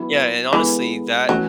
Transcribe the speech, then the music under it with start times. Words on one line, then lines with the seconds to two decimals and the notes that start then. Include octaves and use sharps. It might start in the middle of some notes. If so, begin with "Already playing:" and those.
Yeah, and, honestly, that
Already playing: E3 F#3 B3 E4
0.53 E3 G#3 B3 E4 A4
1.29 E3 F#3 A3 C#4 F#4 A4